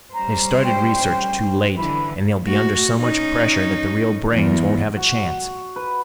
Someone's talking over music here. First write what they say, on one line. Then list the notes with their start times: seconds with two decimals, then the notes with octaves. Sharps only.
They've started research too late and they'll be under so much pressure that the real brains won't have a chance.
0.14 G3 C#4 C5 A#5
0.65 G5
1.77 D3 E3 B5
2.45 A3 F#4
2.98 C#4 D#4
4.33 E2
4.96 F#4
5.76 B4